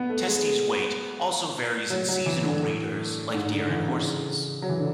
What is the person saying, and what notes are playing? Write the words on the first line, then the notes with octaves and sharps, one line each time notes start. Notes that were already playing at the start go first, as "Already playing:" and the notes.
Testis weight also varies in seasonal breeders like deer and horses.
Already playing: B3
A3
G#3
F#3
F#3
E3
D3
A2
A2
G#2
D3
E3
C#3
F#3
E3
D3